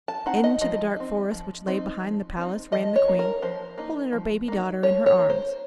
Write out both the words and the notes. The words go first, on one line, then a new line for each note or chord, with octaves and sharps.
Into the dark forest which lay behind the palace ran the Queen, holding her baby daughter in her arms.
A5
C4 D#4 F#5
D#5
F3 D#5
C4 D#4
F3
C4 D#4
F3
C4 D#4
F3 D#5
C#5
A#3 D#4
A#4
F3 C5
A#3 D#4
F3
A#3 D#4
F3 C#5
C#5
A#3 D#4
C5